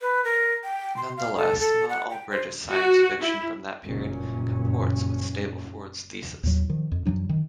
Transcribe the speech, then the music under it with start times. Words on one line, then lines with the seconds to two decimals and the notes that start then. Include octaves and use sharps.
Nonetheless, not all British science fiction from that period comports with Stableford's thesis.
0.01 B4
0.24 A#4
0.64 G5
0.97 C6
1.17 F5
1.37 A4
1.60 A4
1.90 F#5
2.10 G5
2.31 C5
2.71 F#4
3.22 E4
3.85 F#1 G2 A#2 C#4
6.43 D#2 A2 F#3
6.70 D#3 F3
6.92 F2
7.06 F#2 E3 F#3 D4
7.29 D#3